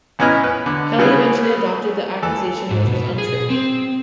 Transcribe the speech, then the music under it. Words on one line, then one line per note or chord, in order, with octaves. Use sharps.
Kelly eventually adopted the accusation, which was untrue.
A1 B3 C#4 E4 D#5 F6
B4
D3
C#3 G3 B3 E4 G#4
E3 A4
G#2
B2
G#4
C4